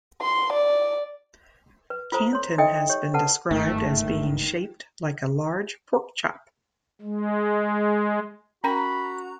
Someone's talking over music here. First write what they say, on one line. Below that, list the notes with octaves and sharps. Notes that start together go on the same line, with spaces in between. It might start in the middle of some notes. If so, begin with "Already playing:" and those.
Kanton has been described as being shaped like a large pork chop.
C6
D5
B4
F4 A4 C5 A#5 D#6
C#5 C6
D#4 A4 D#5 E5 G5
G4 C#5
A4 B4 F#5 A5
G1 D2 G#2 D#3 A3
G#3
C#4 F#4 A#4 G5 A#5 B5